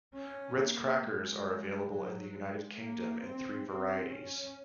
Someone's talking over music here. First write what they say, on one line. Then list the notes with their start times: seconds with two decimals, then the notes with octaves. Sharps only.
Ritz Crackers are available in the United Kingdom in three varieties.
0.15 C#4
0.59 A#3
1.03 G#3
1.90 F#3
2.35 G#3
2.78 A#3
3.22 C4
3.66 C4
4.10 C#4